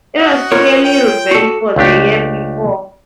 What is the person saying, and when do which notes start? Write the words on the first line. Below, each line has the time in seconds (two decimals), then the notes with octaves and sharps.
It was clearly revenge for the year before.
0.17 F#4 D#5 F#5
0.52 F4 A#4 C#5
0.84 G5
1.31 F#4 A4
1.76 C#2 A3 D4 G4